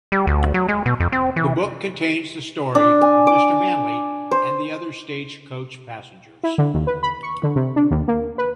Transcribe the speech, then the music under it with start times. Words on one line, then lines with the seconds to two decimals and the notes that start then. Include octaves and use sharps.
The book contains the story of Mister Manly and the other stage coach passengers.
0.12 G3
0.27 D2
0.54 F#3
0.69 G#3
0.86 B2
1.00 F2
1.12 C4
1.36 E3
2.75 D4
3.01 G#5
3.27 D6
4.31 C5
6.43 E4
6.58 D3
6.74 D#2
6.87 B4
7.03 B5
7.23 C#6
7.43 D3
7.56 C3
7.76 D4
7.91 D#2
8.08 A#3
8.38 B4